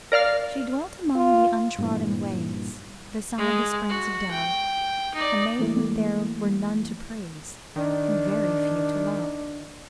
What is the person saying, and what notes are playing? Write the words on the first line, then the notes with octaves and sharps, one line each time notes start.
She dwelt among the untrodden ways Beside the springs of Dove; A maid whom there were none to praise, And very few to love.
A#4 D5 F5 F6
F4
G2 A#2 E3
G#3
F#4
G5
D#4 D5
E3 G3 A3 A#3 E4
D#3 D4